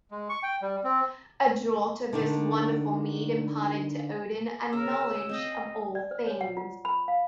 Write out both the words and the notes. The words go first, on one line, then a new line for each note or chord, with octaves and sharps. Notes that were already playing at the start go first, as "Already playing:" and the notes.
A draught of this wonderful mead imparted to Odin a knowledge of all things.
G#3
C#6
G5
G3
C4
D3 D#3 D4
C#3 A#4 E6
C4 D#5 F5 G5
D5
C5
C#5
F#5
F4
B5
F5